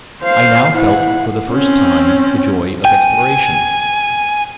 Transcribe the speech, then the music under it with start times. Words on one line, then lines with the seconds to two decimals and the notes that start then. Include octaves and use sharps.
I now felt for the first time the joy of exploration.
0.22 C5 F5
0.72 E4 F#5
1.48 C4 C#4
2.85 G5 G#5